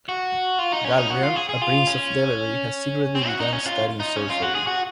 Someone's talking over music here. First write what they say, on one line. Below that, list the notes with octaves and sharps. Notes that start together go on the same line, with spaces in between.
Galrion, a prince of Deverry, has secretly begun studying sorcery.
F#4
F4
D#4
C#4
D#4
F#4
F4
G#4
G#4
F4
C#4
C4
F#4
D#4
C#4
F4
D#4
C#4
F4
F#4
G#4
F#4